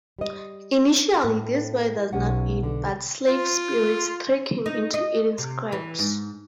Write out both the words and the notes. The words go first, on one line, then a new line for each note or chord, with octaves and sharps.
Initially, this boy does not eat, but slave spirits trick him into eating scabs.
G3 D#5
A2
B1 C#4 G4 F#5
D3
F4
D#4
D#5
C3
E3
G#2